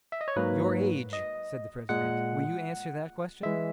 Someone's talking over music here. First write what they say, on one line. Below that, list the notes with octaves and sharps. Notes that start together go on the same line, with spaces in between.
"Your age?" said the president; "will you answer that question?"
E5
D#5
C#5
G#2 F#3 A#3 B4
D#5
A#2 G#3 F#5
E3 G#3 E5